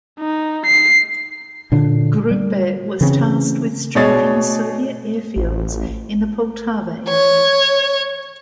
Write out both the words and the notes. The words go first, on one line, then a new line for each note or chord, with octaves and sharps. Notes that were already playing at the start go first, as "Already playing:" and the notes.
"Gruppe" was tasked with strafing Soviet airfields in the Poltava area.
D#4
C7
A#2 D3 D4
G3
C#3 E3 C4 C#4
B2 D4 G#4 C#5 D#5 A6
A1
C#5